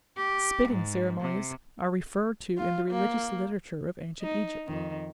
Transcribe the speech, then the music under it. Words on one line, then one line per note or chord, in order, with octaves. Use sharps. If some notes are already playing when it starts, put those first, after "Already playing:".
Spitting ceremonies are referred to in the religious literature of Ancient Egypt.
G4
G#2
C3
F4
A#3
D#4
F2 D#3